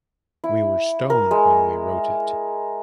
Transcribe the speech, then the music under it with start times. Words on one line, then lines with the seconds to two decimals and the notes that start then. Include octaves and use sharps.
We were stoned when we wrote it.
0.44 E4
1.10 A#4
1.31 G#3